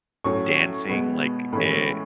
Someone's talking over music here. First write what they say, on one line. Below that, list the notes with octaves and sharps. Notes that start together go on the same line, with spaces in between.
dancing, like, e
A2 F#3 C#4 C#6
B2 G#3 B3
A2 E3 G#3 C#4 B5